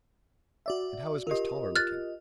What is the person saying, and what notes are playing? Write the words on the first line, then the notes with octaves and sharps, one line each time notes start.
And how is Miss Toller looking?
F#4 D5 E5
F4 G4 A#4 D#5
F6 F#6 A6